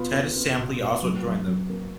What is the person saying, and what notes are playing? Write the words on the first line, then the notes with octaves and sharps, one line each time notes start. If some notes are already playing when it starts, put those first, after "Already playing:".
Ted Sampley also joined them.
Already playing: B2 B3 F4
B3
B3
B2
B2
F#3
F#3
F#3
A#3